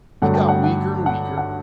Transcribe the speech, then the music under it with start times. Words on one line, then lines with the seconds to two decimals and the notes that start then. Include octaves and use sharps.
He got weaker and weaker.
0.22 G2 D3 F#3 A3 F#5
0.35 G5
0.49 F#5
0.64 F#5
1.06 F#5
1.38 F#5